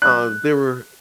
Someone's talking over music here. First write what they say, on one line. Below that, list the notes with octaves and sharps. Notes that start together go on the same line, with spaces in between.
um, there were
F#6